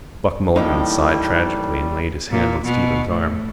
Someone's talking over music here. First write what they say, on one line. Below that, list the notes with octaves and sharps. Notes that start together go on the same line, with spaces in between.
Buck Mulligan sighed tragically and laid his hand on Stephen's arm.
A2 E3 G3 A#3 C#4 D#4
A#2
B2
A2